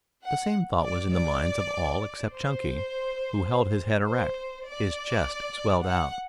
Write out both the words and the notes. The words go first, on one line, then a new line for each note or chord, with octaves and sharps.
The same thought was in the minds of all except Chunky, who held his head erect, his chest swelled out.
F#5
D5
D5
C5
C5
D5
F#5